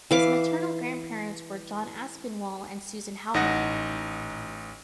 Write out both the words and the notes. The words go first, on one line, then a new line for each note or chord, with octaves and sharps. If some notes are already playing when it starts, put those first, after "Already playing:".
His maternal grandparents were John Aspinwall and Susan Howland.
E3 F5 D6
A1 D#4 D#5 F#5 A#6